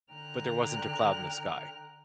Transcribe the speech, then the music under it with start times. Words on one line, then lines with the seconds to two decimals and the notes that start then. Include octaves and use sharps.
but there wasn't a cloud in the sky
0.13 D3 G5 A#5 F6 F#6